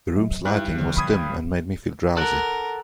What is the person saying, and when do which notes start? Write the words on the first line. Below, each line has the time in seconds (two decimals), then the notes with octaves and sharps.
The rooms lighting was dim and made me feel drowsy.
0.16 F#3
0.45 G2 D#4 E4 E5 F#6
0.78 B1 D3 F3
0.97 B5 D#6 G#6
2.17 A4 A#4 F#5